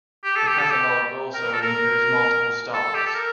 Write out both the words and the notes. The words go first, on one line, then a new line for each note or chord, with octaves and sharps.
The catalog also includes multiple stars.
G4
A4
G4
A4
G4
A#4
A4
A#4
A4
G4
A4
A#4